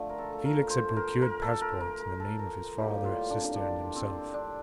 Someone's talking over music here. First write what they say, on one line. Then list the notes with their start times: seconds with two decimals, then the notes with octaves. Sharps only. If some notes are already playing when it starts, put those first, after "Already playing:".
Felix had procured passports in the name of his father, sister, and himself.
Already playing: D3 F3 A3
0.09 A#4
0.18 A4
0.33 A4
0.45 A#4
0.70 C5
0.96 A#4
1.22 A#4
1.42 A4
1.61 A#4
1.80 A#4
2.00 A#4
2.20 A4
2.39 A#4
2.78 A2 G3 A#3 G4
3.05 F4
3.30 D4
3.37 C4
3.44 D4
3.56 D4
3.96 C4
4.34 D4